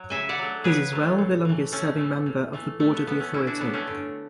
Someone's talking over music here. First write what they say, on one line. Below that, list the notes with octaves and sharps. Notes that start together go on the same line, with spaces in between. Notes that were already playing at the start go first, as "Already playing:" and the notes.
He is as well the longest serving member of the board of the authority.
Already playing: F#3
C#3 E5 G#5
D5 F#5
F#3 A3
C#3 G#4 B4
F#3 A3
A2
E3 A3
A2 A3 C#4
E3 A3
A2
E3 A3
A2 A3
B3
E3 A3 B3
A3 C#4
D3 C#4 E4
D4 F#4
A3 B3 D4
A3 C#4
D3